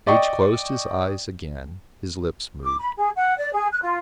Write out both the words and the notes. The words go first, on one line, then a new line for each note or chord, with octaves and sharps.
H-- closed his eyes again; his lips moved.
D5 D#5 G5 C#6
D6
B5
G#4
F#5
D5
G#4
F#6
F4